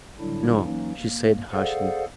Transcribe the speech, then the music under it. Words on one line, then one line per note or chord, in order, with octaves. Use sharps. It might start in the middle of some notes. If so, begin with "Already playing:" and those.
"No!" she said harshly.
A2 D3 F#3 G3 D4 E4
E3 F#3 A#3 C#4 D#4
A#3
G#4 A4 C5 D5 F5 F#5